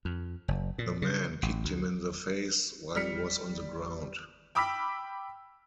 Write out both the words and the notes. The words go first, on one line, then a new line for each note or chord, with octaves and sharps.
The man kicked him in the face while he was on the ground.
F2
F#1
A#2
C#3
A1
D2
G3 F6 B6 C#7
G5 B5 D6 E6 F6 B6